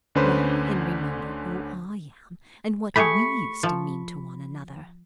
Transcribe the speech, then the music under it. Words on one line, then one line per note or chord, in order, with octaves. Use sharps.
Try and remember who I am and what we used to mean to one another.
D2 D3 C#4 B4 C5
A3 G4 G#4 B5 C#6
F3